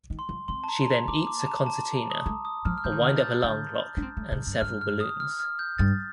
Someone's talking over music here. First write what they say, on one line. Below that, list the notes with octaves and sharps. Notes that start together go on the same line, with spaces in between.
She then eats a concertina, a wind-up alarm clock and several balloons.
D#3
C6
F3
C4 C6
A5
A#5
C6
A#5
A#3 D6
D6
A5
A#5
A5
A#5
D#6
A3
D#6
F3 F6
F6
F3 G6
D#3
D3
D#3 F6
A6
G6
D3 G6
D4
C4
A3
C3
G2
G2 F6
F6
D#6
F6
F6
G6
G2 A6